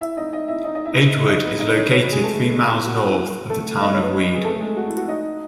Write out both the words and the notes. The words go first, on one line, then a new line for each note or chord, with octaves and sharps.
Edgewood is located three miles north of the town of Weed.
E4 E5
D#4 D#5
D#4 D#5
E4 E5
D#4 D#5
D#4 D#5
E4 E5
D#4 D#5
B3 B4
D#4 D#5
C#4 C#5
C#4 C#5
B3 B4
G#3 G#4
A3 A4
E4
F#4
F#4
E4
F#4
A3 A4
D#4 D#5
C#4 C#5
B3 B4
C#4 C#5
G#4
A3 A4
G#3 G#4
F#4
E4
F#4
D#4 D#5